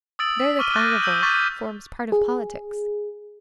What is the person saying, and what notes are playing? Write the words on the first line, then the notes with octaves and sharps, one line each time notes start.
There the Carnival forms part of politics.
D#6 E6 A6 D7 F#7
B6
C#6 D6 F6 D#7 G7
D6 F#6 G6 A6 A#6 D#7
D#6 E6 G6 F#7
C#6 D6 G6 A6 B6 D#7
G#4